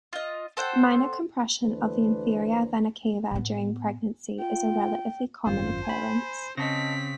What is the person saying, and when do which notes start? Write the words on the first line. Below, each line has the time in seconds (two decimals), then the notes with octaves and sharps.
Minor compression of the inferior vena cava during pregnancy is a relatively common occurrence.
0.13 F4 D#5
0.57 A4 C5 F#5 G5
1.63 D2 E3 A3 D4 B4 C5
3.31 A2 B3
4.39 F4 G5
5.46 G#1 F#2 F4 C5
5.85 G#5 B5
6.57 C#3 C4 D#5 A5 A#6 B6